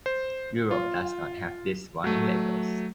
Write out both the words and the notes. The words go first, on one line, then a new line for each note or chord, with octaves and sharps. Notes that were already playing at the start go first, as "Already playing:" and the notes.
Europe does not have these warning labels.
C5
F4
F#3 A3